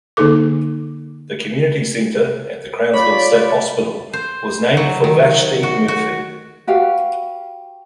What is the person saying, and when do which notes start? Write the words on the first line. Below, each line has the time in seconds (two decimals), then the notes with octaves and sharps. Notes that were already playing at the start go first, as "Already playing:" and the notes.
The community center at the Crownsville State Hospital was named for Vashti Murphy.
0.17 D3 A#3 D#4 G#4 A4 D6
2.94 F4 C#5 D5 B5
4.13 C5
4.77 F#3
5.04 D#3
5.63 F#4
5.88 F#4
6.67 F#4 G4 B4 F5